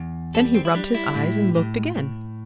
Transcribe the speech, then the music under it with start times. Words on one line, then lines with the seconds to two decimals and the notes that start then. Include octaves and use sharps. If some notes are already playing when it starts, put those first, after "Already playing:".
Then he rubbed his eyes and looked again.
Already playing: E2
0.34 G3 A4
0.54 C4
0.65 E4
0.75 G3 D4
0.95 E4
1.16 A2
1.55 A2
1.95 A2